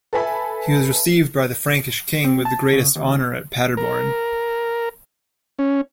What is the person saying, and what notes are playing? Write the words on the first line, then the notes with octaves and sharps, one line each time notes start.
He was received by the Frankish king with the greatest honour at Paderborn.
A4 B4 E5 G#5 B5
C4
A5
C#3
D#2
A#4
C#4